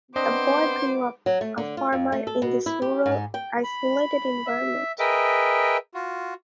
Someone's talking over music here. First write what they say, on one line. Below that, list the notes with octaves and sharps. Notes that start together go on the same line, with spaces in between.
The boy grew up a farmer in this rural, isolated environment.
B3 C4 D4 C5 D#5 D6
F#3
A3
D3
F4
F2
A3
A4
B2
E4
G4
G#2
G5
B5
E5
G#4 A#4 B4 D#5 E5 G5
F4 F#4